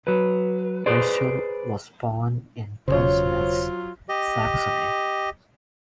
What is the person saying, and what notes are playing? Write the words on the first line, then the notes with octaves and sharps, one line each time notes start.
Rietschel was born in Pulsnitz, Saxony.
F#3 B4
G#4 B4 C5 D5
E1 A#1 C#3 F#3 F4 C5 C#5
G4 D#5